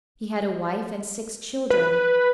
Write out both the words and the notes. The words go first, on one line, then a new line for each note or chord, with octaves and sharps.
He had a wife and six children.
B4